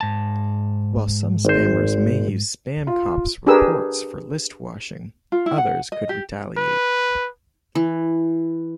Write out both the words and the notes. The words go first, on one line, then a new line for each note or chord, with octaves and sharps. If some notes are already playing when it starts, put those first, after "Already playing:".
While some spammers may use SpamCop's reports for listwashing, others could retaliate.
G#2 A5
G#1 C5
F4
D4 G4 G#4 A#4 B4 E6
F4
E4
F#5
D#5
G4
B4
E3